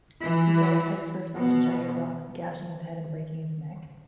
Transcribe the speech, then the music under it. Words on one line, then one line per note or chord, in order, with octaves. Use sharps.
He dived head first onto jagged rocks, gashing his head and breaking his neck.
E3
B2